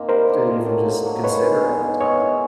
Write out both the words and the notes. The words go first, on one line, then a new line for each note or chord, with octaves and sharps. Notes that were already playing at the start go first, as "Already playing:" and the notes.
to even just consider at the time.
Already playing: A#3 C4 D#4
G3 A#4 C5
A#3 D#4
A2
F#3 A#3
A2
F#3 A#3
G#3 B4 C#5
B3 D#4 G#4
G#3
B3 D#4 G#4
G#3 C#5 D#5
B3 E4 G#4